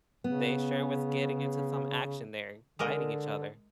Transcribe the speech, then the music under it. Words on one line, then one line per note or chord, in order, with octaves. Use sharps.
they sure was getting into some action there, fighting each other.
C#3 B3
D3 G#3 A#4 D#5